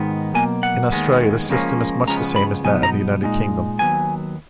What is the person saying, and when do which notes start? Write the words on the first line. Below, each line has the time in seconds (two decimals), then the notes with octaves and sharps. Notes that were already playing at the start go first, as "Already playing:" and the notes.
In Australia, the system is much the same as that of the United Kingdom.
Already playing: G#2 D#3 G#3 B3 D#4
0.34 B2 F#3 A#3 G#5
0.63 F#5
0.92 D#2 D#3 G#3 B3
1.49 C#2 C#3 F3 A#3 C#4
2.07 C#2 C#3 F3 G#3 B3 A#5
2.36 B5
2.64 B2 F#3 B3 D#4 G#5
2.83 A#5
3.22 A#2 G#3 D#4
3.79 D#2 C#3 F#3 B3 G#5